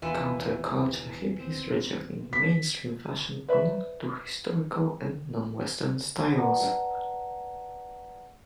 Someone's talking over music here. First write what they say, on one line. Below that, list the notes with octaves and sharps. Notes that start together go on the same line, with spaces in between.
Counterculture Hippies rejecting mainstream fashion looked to historical and non-Western styles.
D#2 B2 E3 F4 F#5
C4
B6
B4 C5 D5 E5 B5
B4 D5 F#5 A5 A#5